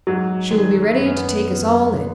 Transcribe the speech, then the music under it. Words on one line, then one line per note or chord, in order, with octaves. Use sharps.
She will be ready to take us all in.
G#2 F#3
G#2
D#3 G#3
D#3
F#2 B3
C#4
F#2 B3
F#2
F#2
D#2